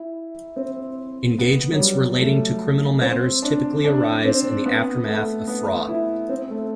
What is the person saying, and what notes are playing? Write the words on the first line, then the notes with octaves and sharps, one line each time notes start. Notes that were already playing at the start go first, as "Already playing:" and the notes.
Engagements relating to criminal matters typically arise in the aftermath of fraud.
Already playing: E4
C4
B3
F#3
G3
A3
C4
D4
D4
C4
B3
A3
B3
E4
C4
A3